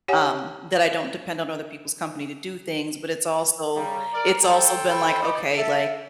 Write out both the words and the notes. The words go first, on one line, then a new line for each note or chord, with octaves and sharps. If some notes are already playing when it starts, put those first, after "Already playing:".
um, that I don't depend on other people's company to do things, but it's also it's also been like, "Okay." Like,
G4 C#5 F#5 G#5
C#3 G3 A#5
A#4 D5
A4 C5 G5
B5
D#4 D5
A4 E5